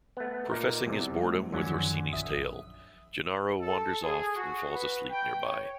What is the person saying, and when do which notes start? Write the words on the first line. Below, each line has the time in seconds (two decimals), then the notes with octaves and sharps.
Professing his boredom with Orsini's tale Gennaro wanders off and falls asleep nearby.
0.17 A3 B3
0.50 A#2 D#4 A#4
0.87 E2 C3 G3
1.22 A3
1.52 F#2 D3 D#3 F3 F#3 C#4
2.13 A#1 E5 D#6
3.61 A4
4.02 G#4
4.36 F#4
4.75 B4
5.11 G5
5.45 C#5